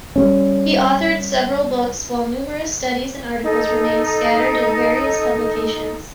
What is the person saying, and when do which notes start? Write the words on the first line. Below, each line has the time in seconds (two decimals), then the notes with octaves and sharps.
He authored several books, while numerous studies and articles remained scattered in various publications.
0.16 G3 G#3 C#4
3.42 D#4 A4